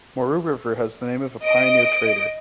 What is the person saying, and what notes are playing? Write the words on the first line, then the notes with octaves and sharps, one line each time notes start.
Moreau River has the name of a pioneer trader.
D#5 D7